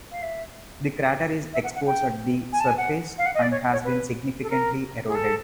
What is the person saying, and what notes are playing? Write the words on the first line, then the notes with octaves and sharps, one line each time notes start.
The crater is exposed at the surface, and has been significantly eroded.
F5
E5
E5
F#5
F#5
G5
G#5
A5
G#5
F#5
F5
F#5
D#5
D5
C#5
C#5
B4
A4
A#4
G#4
A4